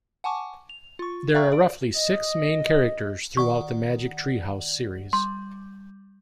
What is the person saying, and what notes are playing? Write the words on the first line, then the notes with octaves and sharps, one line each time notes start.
There are roughly six main characters throughout the Magic Tree House series.
F#5 G#5 A5 C#6 D6
F7
F4 C#6
E5 F5 G5 A#5 C#6 F6
D5 D7
D#5
D#3 D5 F#5 C#6
G3 C6